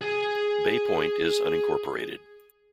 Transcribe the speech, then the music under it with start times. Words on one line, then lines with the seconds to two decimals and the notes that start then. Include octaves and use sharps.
Bay Point is unincorporated.
0.01 G#4 G#5